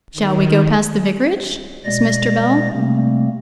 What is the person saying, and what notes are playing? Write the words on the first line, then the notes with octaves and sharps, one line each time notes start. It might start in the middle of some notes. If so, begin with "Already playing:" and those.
'Shall we go past the vicarage?' asked Mr. Bell.
D#3
B2 G#3 D5 A#6
C3 G3 A3 A#3 C4